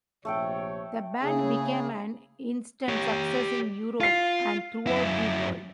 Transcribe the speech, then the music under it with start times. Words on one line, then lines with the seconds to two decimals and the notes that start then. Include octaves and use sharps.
The band became an instant success in Europe and throughout the world.
0.25 A#1 C3 A3 A4 C#5 G5
1.23 C#3 A#3 C#4 E4 G#4
2.89 G4 C#5
4.01 F4 F5 C7
4.87 F#2 E4